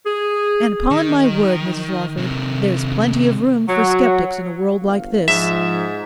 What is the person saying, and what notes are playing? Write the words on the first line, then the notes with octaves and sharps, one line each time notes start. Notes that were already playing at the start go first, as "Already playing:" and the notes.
And 'pon my word, Mrs Lawford, there's plenty of room for sceptics in a world like this.'
G#4
D#3
C3 D#3
F#3
G1 F5
G#2 F3 E5